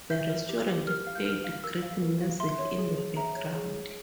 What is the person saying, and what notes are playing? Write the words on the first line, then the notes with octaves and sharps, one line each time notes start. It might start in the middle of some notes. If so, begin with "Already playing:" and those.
The restaurant played Greek music in the background.
E5 G6
A#4
G4
G4
A#4 F6
F5
G6
A#4 F6
F5
A#4 E6
F5
A#4
F5
E5 C6
C#5
G#4
G#4
E5 A#5
C#5
G#4
G#4